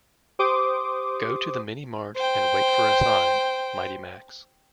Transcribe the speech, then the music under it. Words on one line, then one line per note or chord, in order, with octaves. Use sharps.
Go to the mini-mart and wait for a sign, Mighty Max.
G4 C5 C6 D6 D#6
C5 G5